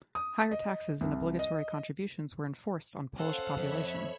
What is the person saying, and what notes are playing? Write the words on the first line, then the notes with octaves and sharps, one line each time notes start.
Higher taxes and obligatory contributions were enforced on Polish population.
D#6
D#5
C2
D#5
C#4 A4 C5 F5 F#5
F2 C#5 E5 B5